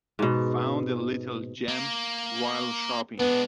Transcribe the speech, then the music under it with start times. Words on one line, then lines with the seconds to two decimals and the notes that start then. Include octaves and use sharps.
I found a little gem while shopping.
0.19 G#2 B2
1.68 A#3
3.20 G#3 B3 D4